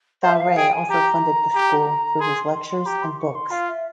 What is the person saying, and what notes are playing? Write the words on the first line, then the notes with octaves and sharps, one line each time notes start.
Faure also funded the school through his lectures and books.
C5 E5
F5
G#4 G5
G#5
G4 A#5
G4
G#4 C6
C6
C6
C6
G4 A#5
C6
C#6
C6
F4 F5
E5